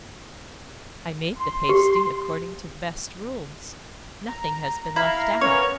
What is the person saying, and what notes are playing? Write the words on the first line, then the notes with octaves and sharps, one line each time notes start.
I made the pasty according to the best rules; nothing has been left out.
C6
G4
A#5
E4 F5 A#5
B3 C#4 A#4 C#5